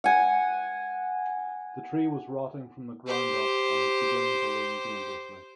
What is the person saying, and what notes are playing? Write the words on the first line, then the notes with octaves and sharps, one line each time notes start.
The tree was rotting from the ground up and was beginning to lean dangerously.
F#5 G#5
G4 C5